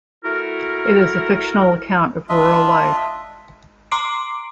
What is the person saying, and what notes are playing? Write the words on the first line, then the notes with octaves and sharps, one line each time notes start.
It is a fictional account of rural life.
A3 E4 F#4 A#4
D4 F4 D#5 E5
A#5 C6 D6 C7 D7